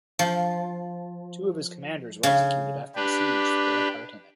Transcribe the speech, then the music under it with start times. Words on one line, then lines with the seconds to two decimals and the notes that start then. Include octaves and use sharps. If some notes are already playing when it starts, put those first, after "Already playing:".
Two of his commanders were executed after the siege for their part in it.
0.19 F3
2.23 C#3
2.95 D4 G4 B4